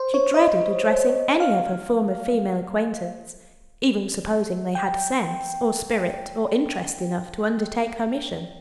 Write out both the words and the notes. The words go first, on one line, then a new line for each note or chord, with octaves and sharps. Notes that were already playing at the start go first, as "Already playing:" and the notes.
She dreaded addressing any of her former female acquaintance, even supposing they had sense, or spirit, or interest enough to undertake her mission.
Already playing: C5
C#5
D#5
F5
G5